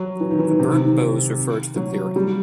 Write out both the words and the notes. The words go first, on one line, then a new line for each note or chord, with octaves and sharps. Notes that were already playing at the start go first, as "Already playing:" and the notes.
The burnt boughs refer to the clearing.
Already playing: F#3
E3
D#3
E3
C3
D#3
D#3
F#3
G3